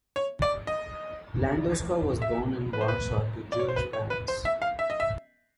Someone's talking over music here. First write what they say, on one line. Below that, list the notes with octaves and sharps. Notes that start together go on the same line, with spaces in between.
Landowska was born in Warsaw to Jewish parents.
C#5
D5
D#5
E5
B4
C5
B4
D5
C#5
C5
B4
C#5
B4
C5
E5
F5
E5
D#5
E5